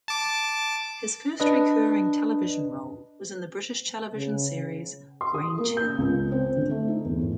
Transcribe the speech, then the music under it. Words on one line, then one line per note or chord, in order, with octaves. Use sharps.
His first recurring television role was in the British television series "Grange Hill".
A5 D6
D4 B4 D#5
C#3
C6
D#6
A#3
G6
C#2
C4
D3
A3
D#4
E2
A2